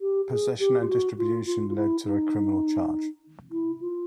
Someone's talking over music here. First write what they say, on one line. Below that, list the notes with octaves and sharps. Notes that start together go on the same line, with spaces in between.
Possession and distribution lead to a criminal charge.
G4
G#4
G4
F4
F#4
F4
F4
F4
E4
D#4
E4
F4